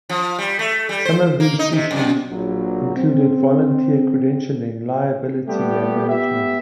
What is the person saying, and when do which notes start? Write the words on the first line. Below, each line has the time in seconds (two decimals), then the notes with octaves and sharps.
Some of these issues included volunteer credentialing, liability, and management.
0.09 F3
0.39 G3
0.59 A3
0.89 G3
1.05 C5
1.40 A#3
1.59 D#4
1.72 C3
1.91 F#2
2.32 A#1 F#3
2.97 C4
5.48 G3 A3 B3 G4
6.08 B3 G4 E5